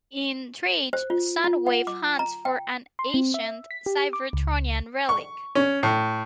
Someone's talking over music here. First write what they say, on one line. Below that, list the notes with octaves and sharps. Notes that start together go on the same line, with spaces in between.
In "Triage", Soundwave hunts for an ancient Cybertronian relic.
C5
F4
F4
F#5
D6
A#5
G5
C6
C4
E5
B6
G4
D6
C#2
C#6
C#4
A2